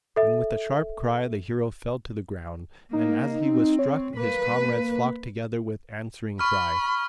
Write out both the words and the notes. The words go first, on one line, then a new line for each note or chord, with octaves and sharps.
And with a sharp cry the hero fell to the ground; and as he was struck his comrades flocked together with answering cry.
A4 E5
A#3 D#4
C4
C#5
A#3 B4
B5 C#6 F6